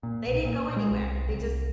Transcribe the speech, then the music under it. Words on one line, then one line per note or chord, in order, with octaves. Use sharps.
they didn't go anywhere, they just
A#2
B1
A#2
G#3
C2
C2